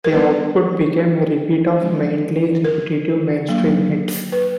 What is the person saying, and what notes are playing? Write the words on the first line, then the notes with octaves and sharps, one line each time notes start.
The output became a repeat of mainly repetitive mainstream hits.
A#4
G3 B3 D4 B4
D3 F3 G#3 C#4
A#4
F#3 A#3 D4
B4